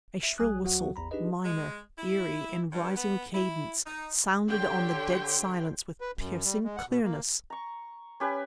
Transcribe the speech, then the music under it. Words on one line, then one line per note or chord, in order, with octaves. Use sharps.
A shrill whistle--minor, eerie, in rising cadence--sounded on the dead silence with piercing clearness!
E5
A#1 G3 G#5 D#6 F#6
D2 F#3 F#4 F#5
A1 E2 A#5 B5
D4 D#4 G4 G#4 B4 D#5
G#3
E4
G2
B3
E4
D#4
D3 G4 C#5 G5 C6
B4
F#2
G3
G#3
F#5
B2
A#3
A#5 C#6
C#4 G4 B4 G#5